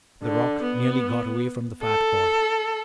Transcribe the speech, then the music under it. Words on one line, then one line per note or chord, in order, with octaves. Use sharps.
The rock nearly got away from the fat boy.
D3
B3
A4